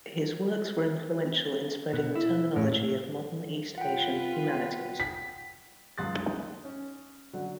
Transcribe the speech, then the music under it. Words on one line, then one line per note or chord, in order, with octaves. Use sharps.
His works were influential in spreading the terminology of modern East Asian humanities.
B2
E4
A2
F4 B4 F#5 G5
B6
C#2 F#2 C6 D#6 F#6 A6
D#4
C#4
D3 F#3